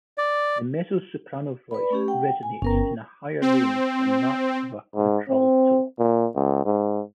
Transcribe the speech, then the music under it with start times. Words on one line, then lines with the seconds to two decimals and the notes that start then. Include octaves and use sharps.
The mezzo-soprano voice resonates in a higher range than that of a contralto.
0.18 D5
1.71 B4 D5 B5
1.90 A3 C#4 G4
2.08 F#5 G5
2.43 G#5
2.62 G1 B3 C#4 A#4 G5 A#5
3.42 C4
4.95 G#2
5.29 C4
5.99 A#2
6.36 C#2
6.65 G#2